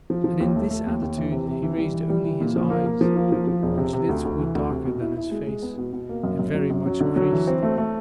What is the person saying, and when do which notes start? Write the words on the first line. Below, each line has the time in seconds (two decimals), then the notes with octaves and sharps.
And in this attitude he raised only his eyes, whose lids were darker than his face and very much creased.
0.10 F3
0.24 F3
0.40 D#2
0.56 A3
0.70 A3
0.86 D#2
1.02 D#2
1.17 E3
1.32 C3
1.47 C3
1.63 E3
1.78 G3
1.94 E3
2.09 G3
2.24 E3
2.40 A#2
2.56 F3
2.70 A#3
2.86 A#3
3.01 F3
3.17 A#3
3.32 F3
3.48 F3
3.63 E1
3.78 C3
3.93 C3
4.09 D2
4.25 D2
4.39 E3
4.55 D2
4.70 C3
4.85 B2
5.01 E4
5.17 E4
5.31 G#3
5.47 G#3
5.62 B3
5.78 B2
5.93 B2
6.09 A#3
6.23 F#2
6.39 F#2
6.55 F#3
6.70 F#2
6.86 F#3
7.01 D3
7.16 F#3
7.32 E3
7.47 C4
7.63 A3
7.78 A3